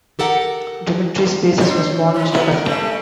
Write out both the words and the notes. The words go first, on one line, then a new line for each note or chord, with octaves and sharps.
Dimitris Basis was born in Stuttgart.
G4 A4 A#4 F#5
D3 C5 C#5
D#3
B2 B3 E4
A#4
C#3 G3 A3